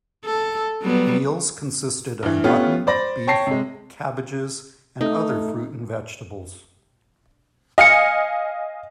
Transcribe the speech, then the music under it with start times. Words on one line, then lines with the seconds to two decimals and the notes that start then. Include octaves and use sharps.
Meals consisted of mutton, beef, cabbages, and other fruit and vegetables.
0.25 A4
0.82 F#3 G3 B3
2.23 G2 E3
2.44 A3 B3 C#4 F4 G4
2.87 C5 D5 B5 A#6
3.27 C#5 G5 A5 A#6 C7
3.47 C3 G#3
5.01 A3 D#4
7.78 D#5 F5 G#5 C#7